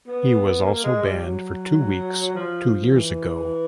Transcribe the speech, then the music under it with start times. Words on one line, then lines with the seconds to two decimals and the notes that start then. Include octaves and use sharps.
He was also banned for two weeks two years ago.
0.08 B3
0.65 A#3
0.83 G#3
1.02 G3
1.22 F#3
2.35 F3
2.92 E3